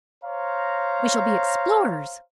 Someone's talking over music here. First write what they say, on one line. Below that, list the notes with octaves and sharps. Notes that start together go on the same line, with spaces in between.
We shall be explorers.
C5 C#5 F5 A#5